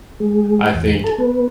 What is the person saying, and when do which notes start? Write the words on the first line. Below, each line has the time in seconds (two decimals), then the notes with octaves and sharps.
I think,
0.20 G#3
0.75 E2
1.04 A4
1.18 B3